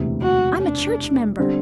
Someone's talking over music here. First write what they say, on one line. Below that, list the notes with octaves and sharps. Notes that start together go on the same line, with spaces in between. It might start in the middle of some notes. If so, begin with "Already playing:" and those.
I'm a church member.
Already playing: E1 D2 C3 E3
F#4
D4
D3 G3 C4